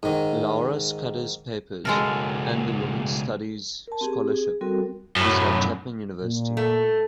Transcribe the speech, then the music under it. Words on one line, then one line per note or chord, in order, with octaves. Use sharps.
Laura Scudder's Papers and the Women's Studies Scholarship is at Chapman University.
G#2 D#3
C#2 B2 G#3 A4 A#4
A#4 A5
C4 G4 G#4
G#4
G3 C4 F#4 A4 A#4
F#2 A2
A#2
A3